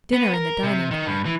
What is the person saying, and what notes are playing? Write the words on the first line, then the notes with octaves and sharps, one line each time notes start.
Dinner in the dining-car.
B3
A#4
C3
D#3
G2
E3